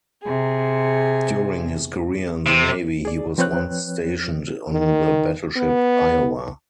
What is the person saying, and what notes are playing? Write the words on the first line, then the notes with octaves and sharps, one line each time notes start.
During his career in the Navy, he was once stationed on the battleship "Iowa".
C3 G#4
C3
G#4 D5
F3 C4 B4 C#5 G5 F#6
D#3
B3